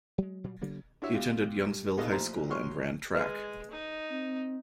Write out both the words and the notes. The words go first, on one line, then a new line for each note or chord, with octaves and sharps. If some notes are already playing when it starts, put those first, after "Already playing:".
He attended Youngsville High School and ran track.
F#3 G#3
A#2 F#3 G3
C#3 F#3 A#3 B3
D4 E4 F#4 C#5 E5
G#2 B2 F4 G4
G2
B3 D#4 G#4 A4 D#5 F5
A1 A#2 F3 A#5 C6
A#2 F#3 C#5 C6 C#6 F6
G#3 B4
D#4
C4